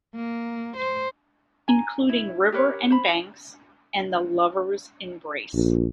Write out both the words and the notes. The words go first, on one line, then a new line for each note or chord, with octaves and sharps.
Including River and Banks, and The Lovers Embrace.
A#3
C5
G#5 A#5
E4
G4 A#4 B4 C#5
C5 B5
A#1